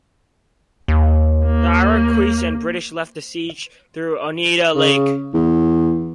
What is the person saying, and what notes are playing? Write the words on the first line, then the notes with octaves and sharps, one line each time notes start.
The Iroquois and British left the siege through Oneida Lake.
D#2
A#3
C#3
E2